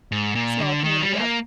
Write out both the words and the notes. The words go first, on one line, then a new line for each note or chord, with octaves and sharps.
small community of
G#2
A#2
D3
D#3
G3
G#3
A#3